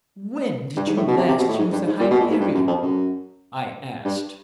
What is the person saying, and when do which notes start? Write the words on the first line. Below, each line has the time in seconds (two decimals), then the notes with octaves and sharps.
"When did you last use the Hyperion?" I asked.
0.76 G2
0.87 G#2
0.97 A2
1.07 B2
1.17 C3
1.28 C3
1.38 B2
1.49 A2
1.58 G#2
1.72 G2
1.86 G#2
2.00 A#2
2.10 B2
2.20 A#2
2.30 G#2
2.40 G2
2.54 F#2
2.67 F2
2.82 F#2
4.05 G2